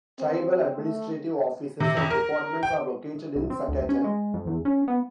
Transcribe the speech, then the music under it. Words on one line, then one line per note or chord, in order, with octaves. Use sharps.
Tribal administrative offices and departments are located in Sacaton.
C4
A3
C3
F2
A#4
G5
C2
C4
D2
C#4
G#3
F2
E2
C#4
B3